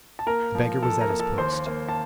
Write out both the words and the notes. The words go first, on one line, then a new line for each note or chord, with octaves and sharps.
The beggar was at his post.
A5
A#3 A#4 A#5
F3
F3 A4 A5
A#4 A#5
A#3
A4 A5
D#2 C5 C6
A#3
A5